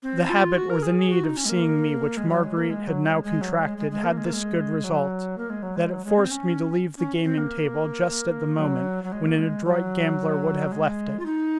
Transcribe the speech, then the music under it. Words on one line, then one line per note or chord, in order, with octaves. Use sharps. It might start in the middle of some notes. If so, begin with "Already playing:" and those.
The habit or the need of seeing me which Marguerite had now contracted had this good result: that it forced me to leave the gaming-table just at the moment when an adroit gambler would have left it.
C4
F4
F#4
A#4
G#4
G#4
F#4
D#4
C#4
G#3
A#3
G#3
F#3
G#3
A#3
G#3
F#3
G#3
G#3
F#3
G#3
G#3
G#3
A#3
G#3
A#3
G#3
F#3
A#3
G#3
F#3
G#3
F#3
G#3
C4
C#4
C#4
C4
A#3
F#3
F#3
G#3
A#3
G#3
F#3
G#3
F4
D#4